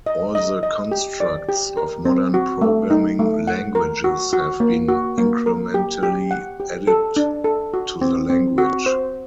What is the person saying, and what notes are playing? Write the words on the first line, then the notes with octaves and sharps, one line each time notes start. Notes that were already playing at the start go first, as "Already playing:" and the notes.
All the constructs of modern programming languages have been incrementally added to the language.
D#5
D#5
D#5
G4
D5
G4
A#4
C4
F#4
A3
D#4
A3
F#5
A#4
F#4
F#4
A#3
F#4
A#3
A#4
G4
G4
F#5
G4
A4
D4
A4
F#4
C4
C4
F#4
C5